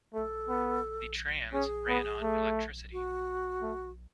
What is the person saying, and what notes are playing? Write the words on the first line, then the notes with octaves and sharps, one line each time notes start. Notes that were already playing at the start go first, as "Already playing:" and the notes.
The trams ran on electricity.
A3 A4
B3
C#4 G#4
B3
A3
F#4
A3